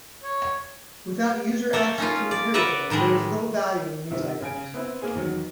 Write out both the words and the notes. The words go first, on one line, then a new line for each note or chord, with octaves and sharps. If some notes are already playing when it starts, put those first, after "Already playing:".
Without user access to materials, there is little value in these items.
C#5
A#3 A4 A#4
C#4 D#4 F4
D5
A#4 B4 D5 E5 F#5 A#5
A2 D#3 G3 G#3
C3 D#3 F3 G3
C#3 G#5 D7
B3 C4 E4
A#3 G#4
E2 D#3 F#3